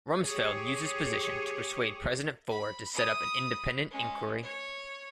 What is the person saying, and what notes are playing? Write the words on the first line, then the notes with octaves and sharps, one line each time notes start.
Rumsfeld used his position to persuade President Ford to set up an independent inquiry.
G4 G#4 C#5
B5
B5 D#6
G#3 C#4
C#5